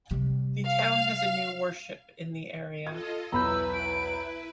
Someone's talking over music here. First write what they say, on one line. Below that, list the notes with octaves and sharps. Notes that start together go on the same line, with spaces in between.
The town has a new worship in the area.
C3 G3
F5
F4 A4 D#5 G#6
B1 E2 E4 B4 A#5 B5 E6 G6
D7